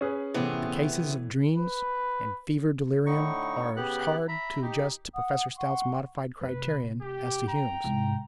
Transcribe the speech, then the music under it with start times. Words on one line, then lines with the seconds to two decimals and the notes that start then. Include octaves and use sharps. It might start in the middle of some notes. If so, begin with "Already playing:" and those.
The cases of dreams and fever-delirium are as hard to adjust to Professor Stout's modified criterion as to Hume's.
0.01 C#4 G#4 B4
0.34 A2 C3 E3 A3 B3
1.56 B4
3.06 A2 D3 D#4 C#6
3.77 C#3 B3 G4 F#6
4.28 E5 A#5 B5
4.62 D#4 G4
5.14 F#5 D#6
5.57 F#5 C6 C#6
6.41 F1 B4
7.02 G4
7.47 G5 A#5
7.84 C2 G#2